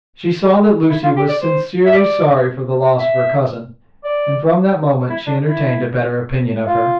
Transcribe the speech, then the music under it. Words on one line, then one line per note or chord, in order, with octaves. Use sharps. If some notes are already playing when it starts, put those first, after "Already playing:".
She saw that Lucy was sincerely sorry for the loss of her cousin, and from that moment she entertained a better opinion of her.
E4
F4
G4
D5
C5
E5
D5
E5
D5
E4
D4
E4
F4